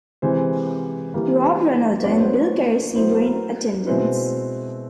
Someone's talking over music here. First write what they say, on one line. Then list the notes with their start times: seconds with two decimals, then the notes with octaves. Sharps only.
Rob Ronaldo and Bill Carinci were in attendance.
0.22 C3 E3 G#3 C5
1.14 E3 G3 A#3
2.04 F#3 B3 D4 D5
2.12 C#5
2.19 C5
2.26 C#5
2.95 F#3 B3 E4 C5
3.11 A#4
3.26 A#4
3.87 B2 G#3 C4 E4 B4